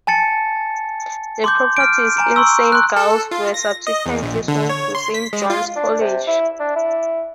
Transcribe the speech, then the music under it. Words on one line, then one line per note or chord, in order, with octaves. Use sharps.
The properties in Saint Giles's were subsequently sold to Saint John's College.
G#5 A5 A6 C#7
C6 D6 G6
F6 D7
G#5 A#5 D7
C6 C#6 E6
C6 F#6
A4
F4
A#6
D#5
E2
A#1
D3
C#5
C6
B6
G#3
F4
D4
C3
E4
D4
E4